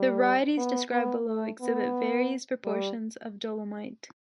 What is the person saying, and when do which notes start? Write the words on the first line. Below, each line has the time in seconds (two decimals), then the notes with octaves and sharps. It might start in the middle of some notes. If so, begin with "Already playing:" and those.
The varieties described below exhibit various proportions of dolomite.
Already playing: G3
0.57 B3
0.92 B3
1.26 A3
1.61 B3
2.65 G3